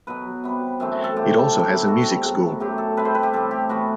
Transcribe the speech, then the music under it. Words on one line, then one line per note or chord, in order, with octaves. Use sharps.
It also has a music school.
B2 F#3 B3 B4
C3 G3 B3
F#2 E3 A3 C4
A4
G2 D3 A3 G4
A2 F#3 B3
B2 G3 C4 F#4
A2 F#3 B3
F#2 F#3 A3 G4
A4
C3 G3 C4 B4
C5
B4
G4
A2 G3 C4 A4
G4
A2 E3 B3 F#4